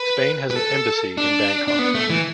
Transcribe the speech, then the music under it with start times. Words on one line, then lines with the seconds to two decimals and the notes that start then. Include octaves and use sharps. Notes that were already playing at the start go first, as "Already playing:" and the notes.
Spain has an embassy in Bangkok.
Already playing: B4
0.51 B4
0.56 A4
1.18 D4
1.68 D4
1.79 B3
1.95 A3
2.10 E3